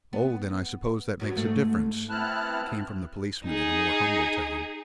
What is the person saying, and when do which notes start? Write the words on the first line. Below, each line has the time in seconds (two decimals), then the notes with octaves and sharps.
"Oh, then I suppose that makes a difference," came from the policeman in a more humble tone.
0.13 B3
1.20 F#2 F#3 B3
1.36 G#2 A3
2.09 B3 C4 E4 A5 F6 F#6
3.45 D#4 G#4